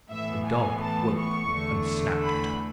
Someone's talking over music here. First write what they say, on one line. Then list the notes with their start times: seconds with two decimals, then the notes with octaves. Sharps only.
The dog awoke, and snapped at her.
0.11 A2 E3 B3 E5
0.47 G#5
0.82 A5
1.17 C#6
1.52 E2 D3 A3
2.23 B5